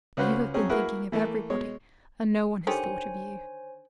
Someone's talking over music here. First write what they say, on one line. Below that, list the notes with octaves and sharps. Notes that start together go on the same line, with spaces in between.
'You have been thinking of everybody, and no one has thought of you.
C#2 C#4 F#4 B4 C5
F2 F#3 C4 C#4 G#4
A#3 E4 F#4 G#4 A#4 B4
E3 A3 A#3
B2 G#3 C#5
D3 D#3 G4 C5 C#5 G#5